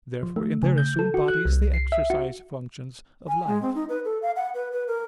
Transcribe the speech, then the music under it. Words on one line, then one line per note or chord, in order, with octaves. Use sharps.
Therefore in their assumed bodies they exercise functions of life.
F3
A3
C#3
G6
A4
F#4
F#6
C2
C7
E5
F#4
G#5
G#3
C4
D#4
B4
A4
F5
F#5
B4
B4
A#4